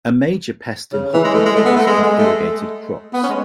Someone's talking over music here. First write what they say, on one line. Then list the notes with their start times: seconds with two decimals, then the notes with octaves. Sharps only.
A major pest in hot countries of irrigated crops.
0.93 C#3
1.13 E3
1.24 G#3
1.34 A3
1.46 G#3
1.56 A3
1.65 B3
1.76 A3
1.87 G#3
2.03 G#3
2.19 A3
3.13 B3
3.23 C#4
3.29 G#3